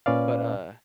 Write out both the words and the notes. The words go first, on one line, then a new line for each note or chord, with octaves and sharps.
But, uh,
A#2 C#4 B4 D5 F5